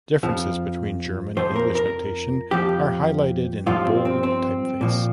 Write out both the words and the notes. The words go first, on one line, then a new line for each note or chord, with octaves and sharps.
Differences between German and English notation are highlighted in bold typeface.
F2 F3
F2 F3 C5
A#4
A#4
F2 F3 G4
G2 F3 F4
C4
C4
C4
A#2 F3